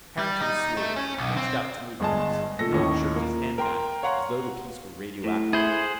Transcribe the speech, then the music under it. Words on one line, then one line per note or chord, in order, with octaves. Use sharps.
Harrington swore, reached out to move a piece, and then jerked his hand back as though the piece were radioactive.
G3
D#4
A3
C#4
B1
C4
G1 G2 G#3 D#5 G#5 A5
A#2 A3 A4 A#6
D#2 A2 C#4 D#4 C#5
A#2 A#3
A#4 G5 A#5 C6
C#5 F5 F#5 A#5 C6
A2
E4 G#4 C5 F#5 G6